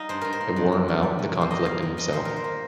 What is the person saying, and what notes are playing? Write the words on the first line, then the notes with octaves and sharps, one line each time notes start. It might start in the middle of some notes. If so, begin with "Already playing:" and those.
It wore him out, the conflict in himself.
Already playing: G3 D#4 D#5 F5
G2 C5
G2 A#4
C5
A#3
G2
A#3
G2
G3
G2
A#3
C5
A#3 D#5
G3 F5
A#3
G2 D#5
A#2 C5
A#2 A#4
C5
A#3